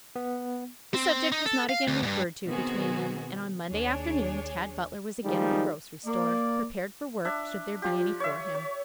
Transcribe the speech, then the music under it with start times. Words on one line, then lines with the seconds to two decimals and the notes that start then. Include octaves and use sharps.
The subject was not again referred to between them, and on Monday afternoon Tad Butler was again at the grocery store, prepared for work should there be any for him.
0.16 B3
0.94 C4
1.32 D#4
1.46 A4
1.69 F5
1.88 D2
2.03 G2 B2
2.46 B2 D#3 B3 C4 F#4 G#4
3.69 D#2 D4 G#4 C#5
5.25 D#3 F3 G3 G#3 D#4
6.06 A#3 D5
7.25 D4 E5
7.82 F3 F4 G4
8.20 C#5 E5
8.55 C#5